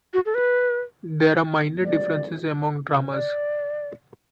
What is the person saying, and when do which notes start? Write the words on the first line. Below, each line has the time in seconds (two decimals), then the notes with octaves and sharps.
There are minor differences among dramas.
0.14 F#4
0.25 A4
0.35 B4
1.84 D5
3.11 D5